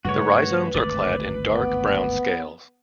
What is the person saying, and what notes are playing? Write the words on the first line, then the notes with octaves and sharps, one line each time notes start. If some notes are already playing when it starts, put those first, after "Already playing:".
The rhizomes are clad in dark brown scales.
G2 C#3 A3 F#4 B4 C#5
G#1 D2 G2 D5
B3